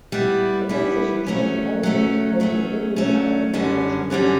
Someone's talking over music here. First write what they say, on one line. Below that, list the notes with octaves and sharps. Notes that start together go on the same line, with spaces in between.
The composition shows an old woman holding a big wheelbarrow full of vegetables.
G3 B3 E4
G3 B3 E4
F#3 A3 C#4
F#3 A3 C#4
F#3 A3 C#4
F#3 A3 C#4
F#2 D3 G3 C#4 F#4
F#2 D3 G3 C#4 F#4